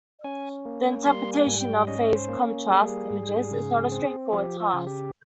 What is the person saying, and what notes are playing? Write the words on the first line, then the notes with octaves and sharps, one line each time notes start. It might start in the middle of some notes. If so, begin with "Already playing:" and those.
The interpretation of phase-contrast images is not a straightforward task.
C#4 G#5
A#3
G3 C6
G#5
G#2
G5
C#4 D#5
C5
A#3
G3 G#4
G#2
C#3
C4
F3 G4
F4
C#3
G4